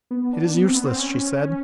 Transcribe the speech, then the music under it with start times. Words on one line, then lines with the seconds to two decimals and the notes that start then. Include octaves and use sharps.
"It is useless," she said.
0.11 B3
0.33 D4
0.54 B3
0.65 C4
0.76 B3
0.87 C4
0.99 C#4